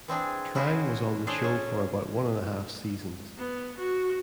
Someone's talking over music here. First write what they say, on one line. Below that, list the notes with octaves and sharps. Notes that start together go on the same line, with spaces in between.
Trang was on the show for about one and a half seasons.
E3 C4 D4 G#4
C#4 E4 F#4 G#4 B4 C5
D4 G#4 A4 C5 C#5 A5
C#4
B3
F#4